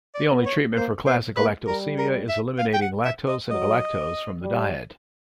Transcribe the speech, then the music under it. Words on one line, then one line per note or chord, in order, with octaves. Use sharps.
The only treatment for classic galactosemia is eliminating lactose and galactose from the diet.
D5
B3
C#5
A#3 C5
B3 C5
A#3 B4
G3 A#4
A#4
E5
F5
G5
F#5
E5
D#5
F#3 D#5
G3